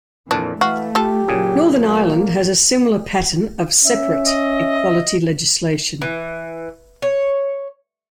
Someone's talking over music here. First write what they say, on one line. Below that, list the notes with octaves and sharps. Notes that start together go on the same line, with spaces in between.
Northern Ireland has a similar pattern of 'separate' equality legislation.
F2 A#2 E3 D4
E3 A3 F#4 F5
F4 G4 A4
A#2 C#3 F#3 G#4
A#3
C#4 E5
D#5
E3
C#5